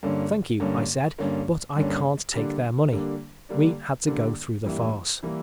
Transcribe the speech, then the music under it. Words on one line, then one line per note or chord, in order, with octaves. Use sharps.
"Thank you," I said, "but I can't take their money." We had to go through the farce.
G2 D3 A#3 C#4
G2 D3 A#3 C#4
G2 D3 A#3 C#4
G2 D3 A#3 C#4
D3 G3 A#3 D4
D3 G3 A#3 D4
D3 G3 A#3 D4
D3 G3 A#3 D4
G2 E3 G3 A#3 E4
E3 G3 A#3 E4